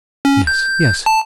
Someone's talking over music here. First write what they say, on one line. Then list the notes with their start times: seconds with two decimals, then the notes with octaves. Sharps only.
"Yes, yes."
0.25 C#4
0.47 G6
1.06 A5